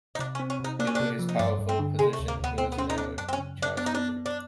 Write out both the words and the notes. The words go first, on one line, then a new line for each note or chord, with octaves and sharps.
Due to his powerful position, he was never charged.
D#4
C3 D4
C#4
C4
C#4
C3 D#4
A#3 D4
C#4
C3 D4
F3
D#4
G2 D4
G2
C4
D3
C3 G#3
A3
D2
A#3
D2 B3
B2 C4
B3
C4 C#4
D#4
B2 D4
F#2 D4
C4
C#4
C#3
F#2 D4
B3 D4
D#4
B3 D4
B3
D4